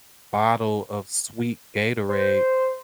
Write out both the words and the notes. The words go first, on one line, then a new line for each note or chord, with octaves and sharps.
bottle of sweet Gatorade,
C5